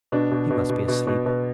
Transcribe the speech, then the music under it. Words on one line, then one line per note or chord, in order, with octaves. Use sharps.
He must be asleep.
B2 D4
B2
B2
B2
B2
B2
B2